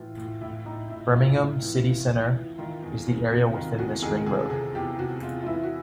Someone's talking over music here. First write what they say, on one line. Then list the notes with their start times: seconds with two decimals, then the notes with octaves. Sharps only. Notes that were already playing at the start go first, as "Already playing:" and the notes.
Birmingham City Centre is the area within this ring road.
Already playing: A2 E3 F4
0.17 A2
0.41 A2 E4
0.65 A2 D#4
0.90 A2 E4
1.13 A2 F4
1.38 A2
1.62 E3
1.86 E3
2.10 E3
2.34 E3
2.58 D#3 F4
2.83 E2
3.07 E2
3.30 C3 F#4
3.54 D#3 F4
3.78 E2 F#4
4.02 D#3 G#4
4.26 C3 G#4
4.39 A4
4.50 C3 G#4
4.75 E2 G4
4.99 C3 F#4
5.23 E2 F4
5.42 F4
5.46 E3 E4
5.63 F#4